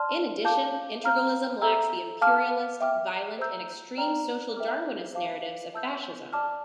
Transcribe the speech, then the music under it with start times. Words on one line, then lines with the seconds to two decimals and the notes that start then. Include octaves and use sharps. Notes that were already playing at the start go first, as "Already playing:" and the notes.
In addition, integralism lacks the imperialist, violent, and extreme social darwinist narratives of Fascism.
Already playing: D5 A5 C6 F6
0.45 F5 A5 D6 G6
1.04 F5 A#5 F6
1.62 A4 E5 A#5 E6
2.21 F5 A5 D6 F6
2.80 E5 G5 D6 F6
3.39 C5 E5 A#5 E6 G6
3.97 D5 G5 A#5 F6
4.56 E5 G5 D6 F6
5.14 C5 F5 A5 D6
5.73 E5 A5 E6 G6
6.33 D5 A5 D6 F6